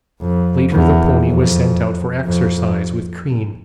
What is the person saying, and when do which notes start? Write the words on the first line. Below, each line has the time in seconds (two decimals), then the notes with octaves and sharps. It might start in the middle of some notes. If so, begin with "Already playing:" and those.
Later the pony was sent out for exercise with Crean.
0.21 F2
0.72 E2
1.23 F2
2.26 F2